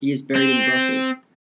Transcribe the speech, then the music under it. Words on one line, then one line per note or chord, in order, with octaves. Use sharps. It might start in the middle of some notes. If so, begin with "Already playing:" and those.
He is buried in Brussels.
C4